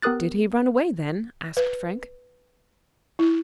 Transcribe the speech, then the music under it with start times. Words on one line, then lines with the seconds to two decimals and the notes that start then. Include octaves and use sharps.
"Did he run away then?" asked Frank.
0.02 B3 G4 A#4 D#6 F#6 A6
1.57 B4
3.19 E4